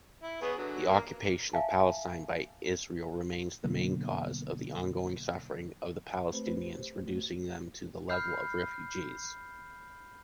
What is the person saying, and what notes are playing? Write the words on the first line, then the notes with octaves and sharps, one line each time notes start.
The occupation of Palestine by Israel remains the main cause of the ongoing suffering of the Palestinians, reducing them to the level of refugees.
E4
B3 G#4 C#5
D3 F#3
A#3
E5 F5 G#5 A5
B2 D3 F#3 A#3 B3
A3 C4 G4 B4 C5 B5
G4 C5
A3 F#4
B5 F6 G6 C7